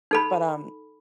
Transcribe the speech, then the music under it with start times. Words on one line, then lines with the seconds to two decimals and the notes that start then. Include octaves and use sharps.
But, um,
0.11 D#4 A4 B5